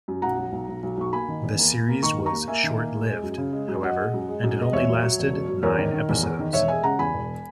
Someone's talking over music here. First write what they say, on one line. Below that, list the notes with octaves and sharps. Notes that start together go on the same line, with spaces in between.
The series was short-lived, however, and it only lasted nine episodes.
F#2
B1 F#5 A#5
B1
B1
B1
B1
B1 C#6
A#3 G#5 B5
D#3
E2
A#3
A#3
A#3
D#3 A#5 C#6
D#2
A#5 C#6
A#3
A#3 E5 G#5
D#3
A#3
G#3
G#3
F#2
C#3
G#3
F#2
F#2 D#5 F#5
G#3
F#2
G#3
F#2
G#3 D#5
E2 C#5 E5
F#3
F#3
E1
B2
F#3
E2 A#4 C#5
D#3
D#3
E2
E2
D#3
E1 C#5 E5
G#3 E5 G#5
C#3 F#5 A#5
E2 G#5 B5
E1